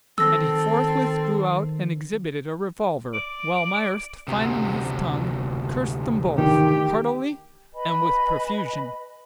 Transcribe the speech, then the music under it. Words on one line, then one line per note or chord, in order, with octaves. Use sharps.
And he forthwith drew out and exhibited a revolver, while Myerst, finding his tongue, cursed them both, heartily and with profusion.
D#3 C4 A4 E6 A#6
D5
D2 C3
D#3 G4
B4 D#5 G#5 B5